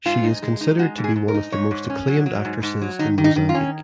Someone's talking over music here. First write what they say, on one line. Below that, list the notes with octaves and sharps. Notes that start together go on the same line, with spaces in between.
She is considered to be one of the most acclaimed actresses in Mozambique.
G#2 F4
D#4
G#3
D#4
G#3 F#4
G#2
G#4
G#2
A#4
D#4
G#2 C#5
G#2
C#4
F#3
F#3
G#2
G#2
F#3
D#3 D#4
D#3
D#4
D#3
F4
C#4